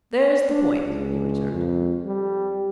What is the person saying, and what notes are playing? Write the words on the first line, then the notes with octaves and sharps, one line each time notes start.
"There's the point!" he returned.
D4
C#2
F2
G3